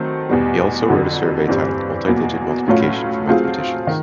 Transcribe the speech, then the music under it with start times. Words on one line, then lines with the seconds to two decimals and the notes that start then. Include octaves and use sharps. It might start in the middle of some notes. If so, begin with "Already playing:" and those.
He also wrote a survey titled "Multidigit multiplication for mathematicians".
Already playing: D#3 F#3 A3 C4
0.29 E2 B2 G3
0.88 F2 D3 F#3
1.48 G2 E3 G3 C4
2.08 E2 B2 F#3 A#3
2.68 A2 F#3 A3 C#4 F4
3.28 F#3 A3 C4 F4 G#4
3.87 D#3